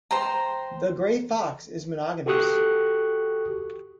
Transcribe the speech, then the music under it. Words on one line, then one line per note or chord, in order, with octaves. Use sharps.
The gray fox is monogamous.
C5 G5 A#5
F#4 G4 A4 C#6 D#6 F#6